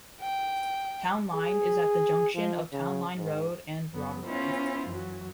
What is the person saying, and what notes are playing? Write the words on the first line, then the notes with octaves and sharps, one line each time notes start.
Town Line is at the junction of Town Line Road and Broadway.
G5
G#4
F3
C#3
G#2
F#2 F#3 B3
B3 C#4 E4 F4 C5
F#2 E3 F#3